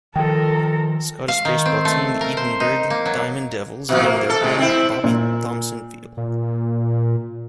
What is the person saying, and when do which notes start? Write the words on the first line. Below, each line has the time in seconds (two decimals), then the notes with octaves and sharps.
Scottish baseball team, the Edinburgh Diamond Devils, named their home Bobby Thomson Field.
0.16 D#3 F3 A4 A#4 G5
1.28 F5
1.45 D#3
1.66 C4
1.85 A3
2.21 A#4
2.37 C5
2.60 D#4
2.90 A#3
3.06 F#3
3.89 B2 F3 F#3
4.04 A#3
4.30 A4
4.41 A2 C3 G#3
4.59 C4 E4
5.04 A#2
6.17 A#2